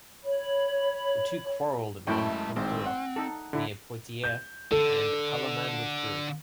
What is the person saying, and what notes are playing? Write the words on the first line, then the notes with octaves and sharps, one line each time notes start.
The two quarreled at Moncontour, near Poitiers, and Carloman withdrew.
C#5 B5
F#2 G#3 A3 E4 G5 A5 C#6
G#1 G#2 C4
F#5
D#4 A4
D3 E4
G6
D3 A4